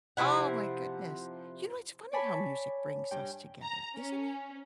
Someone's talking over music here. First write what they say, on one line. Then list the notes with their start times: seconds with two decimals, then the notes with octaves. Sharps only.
Oh my goodness. You know, it's funny how music brings us together, isn't it?
0.17 C3 F3 E4 F#5
2.13 C#5 D5 G#5 A5 B5
3.11 G2 G5
3.61 A#5
3.96 C#4